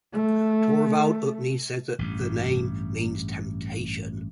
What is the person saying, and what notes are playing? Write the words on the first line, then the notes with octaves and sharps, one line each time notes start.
Torvald Utne says that the name means temptation.
A3
A1 G2